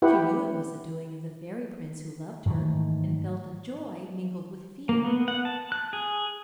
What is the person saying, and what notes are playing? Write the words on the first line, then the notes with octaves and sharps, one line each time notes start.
She knew it was the doing of the fairy-prince who loved her, and felt a joy mingled with fear.
E4 G4 B4 F#5
G#2 D#3 E3 A3
A#3
B3
F#5
A5
F#6
G#4